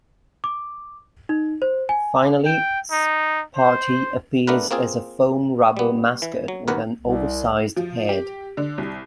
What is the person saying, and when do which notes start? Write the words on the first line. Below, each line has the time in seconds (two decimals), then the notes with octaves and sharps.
Finally, Sparty appears as a foam rubber mascot with an oversized head.
0.44 D6
1.29 D#4
1.62 C5
1.89 G#5
2.45 G5
2.92 D#4
3.57 C5
4.47 A3 B3 D4 A#4 B4
4.71 A#3 C4 F4 G#4
5.77 G3 B3
6.22 E3
6.48 F#3
6.68 G#1 D#2 A#4 B4 F#5
7.01 C2
7.77 F3
8.09 G4
8.57 D3
8.78 C2